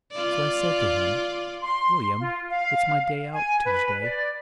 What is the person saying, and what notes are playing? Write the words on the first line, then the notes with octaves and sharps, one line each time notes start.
So I said to him, 'Willyum, it's my day out, Tuesday.
F4 D5
C6
F4
F5
G#5
B4
D5